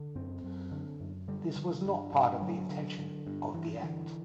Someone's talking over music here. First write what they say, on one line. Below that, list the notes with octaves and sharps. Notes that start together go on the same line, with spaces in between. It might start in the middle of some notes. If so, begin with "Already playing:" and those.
This was not part of the intention of the act.
Already playing: D3
F#2 C4
F#2
D3
F#2
D3 G3
D3
G2
G2
D3 F#3
D3
D3
G2
G2 E3
D3 E3